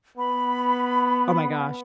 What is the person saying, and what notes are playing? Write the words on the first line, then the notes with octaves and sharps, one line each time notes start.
Oh my gosh.
B3 B5